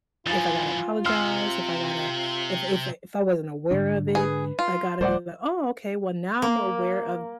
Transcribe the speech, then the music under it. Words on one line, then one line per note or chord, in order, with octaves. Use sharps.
if I gotta apologize, if I gotta if if if I wasn't aware of it, I gotta be like, "Oh, okay, well now I'm aware of
E3 F3 F4 G#5 A6
C3 C6 E6 F6
G#2 D3 D4
G#4 B4
F4
D#1 G3 A3 C5 D5 F#5
A#3